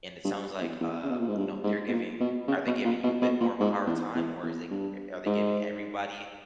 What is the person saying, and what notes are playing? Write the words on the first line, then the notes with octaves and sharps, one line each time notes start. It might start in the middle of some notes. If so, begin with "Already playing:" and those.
and it sounds like, um, you know, they're giving are they giving you a bit more of a hard time, or is it i are they giving everybody,
G2
E2
E2
C#3
B2
A#2
G#2
G2
G#2
B2
A#2
B2
C#3
B2
A#2
B2
B2
A#2
G#2
E2
E2
E2
G2
G#2